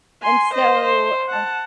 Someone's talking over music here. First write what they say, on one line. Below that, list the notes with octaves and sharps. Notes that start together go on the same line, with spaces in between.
And so, uh
G#5 C6
C5 D#5
C5
F#5 A5